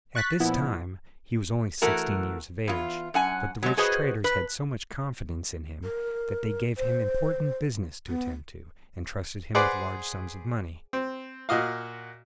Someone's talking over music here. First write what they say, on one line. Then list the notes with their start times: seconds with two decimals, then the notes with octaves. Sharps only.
At this time he was only sixteen years of age; but the rich traders had so much confidence in him that they gave him important business to attend to, and trusted him with large sums of money.
0.15 C#6 F#6 A6 B6
0.40 A#2 F3 B3 E4
1.82 E3 A3 F#4 A#4
2.68 E2 F4
3.14 F#2 F#5 G#5
3.63 F#3 G#3
3.77 F#4 G#4 B4 C5 D#5
4.24 B4
5.84 A#4
6.77 C5
8.08 B3
9.55 G#4 B4 C5 D5 F#5
10.93 C4
11.49 A#2 F#4 D#5 F5